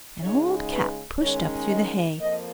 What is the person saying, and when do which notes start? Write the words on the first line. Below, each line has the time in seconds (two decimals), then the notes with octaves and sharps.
An old cap pushed up through the hay.
0.23 C#3 G#3 D#4 C#5
0.73 B4
1.21 D#3 G#3 C#4 C#5
1.70 D#5
2.19 F2 F3 A#3 D#5